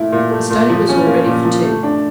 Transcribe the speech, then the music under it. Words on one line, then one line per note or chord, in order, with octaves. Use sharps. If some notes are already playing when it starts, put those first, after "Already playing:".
The study was all ready for tea.
Already playing: A#2 A3 E4
A#2
A3
A#2
F3
C#4
A#3
A#2
F3
A3
D4